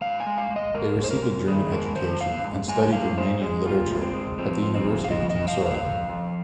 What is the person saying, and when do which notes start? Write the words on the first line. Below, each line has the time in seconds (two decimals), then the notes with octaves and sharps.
They received a German education and studied Romanian literature at the University of Timisoara.
0.01 G#2 F5
0.20 G#5
0.26 G#3
0.38 F5
0.50 G#3
0.56 D#5
0.74 G#3 A#4
0.99 G#3 C5
1.11 A#4
1.22 G#2
1.48 D#3 G#4
1.72 G#3 A#4
1.95 D#3 C5
2.20 G#2 F5
2.44 G#2
2.68 G#3 G#5
2.82 G#5
2.92 G#3 F5
3.18 G#3 C5
3.41 G#3 G#4
3.66 A#2 F4
3.90 G#3
4.02 C4
4.14 G#3
4.38 F3 C4
4.62 F3
4.75 C4
4.87 G#2
5.04 F5
5.11 F3 D#5
5.30 D#5
5.35 F3
5.48 F5
5.60 G#2
5.66 F5
5.83 F2
6.09 F2